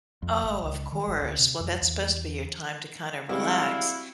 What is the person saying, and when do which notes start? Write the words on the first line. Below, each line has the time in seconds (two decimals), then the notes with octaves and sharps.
Oh, of course, well that's supposed to be your time to kinda relax,
0.22 F2
0.43 G#1
0.63 C#2
0.92 D#3
1.07 G#1
1.22 D2
1.39 C3
1.60 F2
1.82 E2
3.29 G3 G#3 C4 E4 F#4 F5